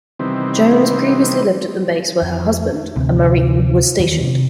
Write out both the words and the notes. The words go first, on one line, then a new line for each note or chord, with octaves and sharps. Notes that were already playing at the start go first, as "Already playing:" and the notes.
Jones previously lived at the base where her husband, a Marine, was stationed.
C3 D#3 E3 G3 B3 C4
F2
D2 C3 E3 C4
E2 D#3 E3
C3